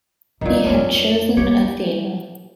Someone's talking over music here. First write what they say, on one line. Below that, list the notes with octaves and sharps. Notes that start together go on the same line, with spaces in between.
He had chosen Athena.
D2 G2 A#2 D#3
F2 F#3 C#4 D4
G3 G4 C#5